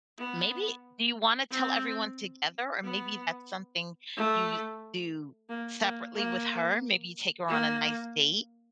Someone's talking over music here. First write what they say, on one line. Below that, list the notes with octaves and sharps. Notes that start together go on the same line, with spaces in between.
maybe do you wanna tell everyone together or maybe that's something you you do separately with her? Maybe you take her on a nice date?
B3
C4
B3
A3
A#3
A#3
A#3
A#3